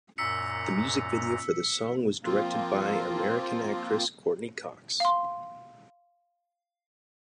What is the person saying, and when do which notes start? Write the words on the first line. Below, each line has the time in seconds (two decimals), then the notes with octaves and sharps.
The music video for the song was directed by American actress Courteney Cox.
0.18 F#2 A#2 A#5 E6 B6 C#7
2.24 F3 A#3 C4 F4
5.00 F5 C6